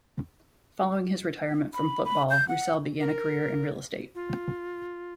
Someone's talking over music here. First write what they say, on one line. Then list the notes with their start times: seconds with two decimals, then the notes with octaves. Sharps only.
Following his retirement from football, Roussel began a career in real estate.
1.74 B5
2.05 B5
2.30 G6
2.48 F#5
3.00 A#4
4.15 F4